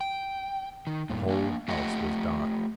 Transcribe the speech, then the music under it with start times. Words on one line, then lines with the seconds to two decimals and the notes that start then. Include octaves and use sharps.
The whole house was dark.
0.01 G5
0.87 D#3
1.10 G2 A#2
1.28 A#3 D4 G#5
1.68 A3 F4 G4 D#5 F#5